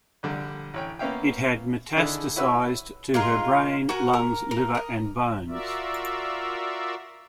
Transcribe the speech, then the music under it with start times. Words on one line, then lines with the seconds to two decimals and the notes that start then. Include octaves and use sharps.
It had metastasised to her brain, lungs, liver and bones.
0.23 A#1 D3 G3
0.74 A1 C#5 G5
0.99 A#3 B3 C#4 E5 F5 G5
1.96 D3 D#3 D4 E4 G#4 A4
2.36 E4 F#4 B4 C#5 E6
3.14 G#3 F4 A#4
3.89 F#4 A#4 F#5 G#5
4.13 A#4
4.51 A#4
4.75 A#4 D#5
5.49 F4 F#4 A#4 D5 E5